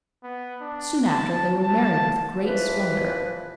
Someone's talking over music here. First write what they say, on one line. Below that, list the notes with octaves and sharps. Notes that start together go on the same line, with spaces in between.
Soon after, they were married with great splendour.
B3
D4
A5
A5
D#2 E3 F3 B4